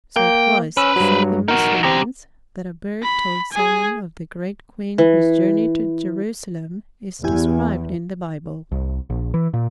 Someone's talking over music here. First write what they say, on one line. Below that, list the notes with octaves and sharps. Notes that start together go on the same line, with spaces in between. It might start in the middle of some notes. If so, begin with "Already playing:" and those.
So it was, say the Mussulmans, that a bird told Solomon of the great Queen whose journey to Jerusalem is described in the Bible.
A#3 G5
C#4 B4 C5 E6
G2 F#3
D#4 F#4 A#4
B2 D3 C4 G4 A#5
B5
G#4 G#5
E3
E2 E4 G4 G#5
C2
A#1
E3
A#2